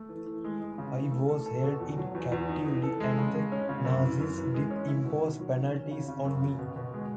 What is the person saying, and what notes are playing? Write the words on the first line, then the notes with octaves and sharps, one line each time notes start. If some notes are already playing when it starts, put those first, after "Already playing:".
I was held in captivity and the Nazis did impose penalties on me.
Already playing: A3
E3
E3
G#3
G#3
C#3
E3
A3
A4
A4
B2
E2
F#3
E2
E2
D#4
E3
A4
G#3
C#3
G#3
C#4
C#3
F#2
E3
F#2
E3
G#3
C#4
E4
B2
D#3
F#3
D#3
C#4
C#3
C#3
F#2
C#3
B2
B2
G#3